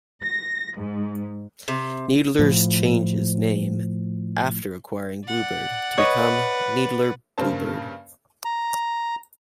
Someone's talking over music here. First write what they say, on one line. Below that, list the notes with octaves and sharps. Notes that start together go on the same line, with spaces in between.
Needler's changes name after acquiring Blue Bird to become Needler Bluebird.
A#6
G#2
C3
A2 F3
D5 F#5
B4 C#5 D#5
G2 C#3 A#3 C5 A5
A#5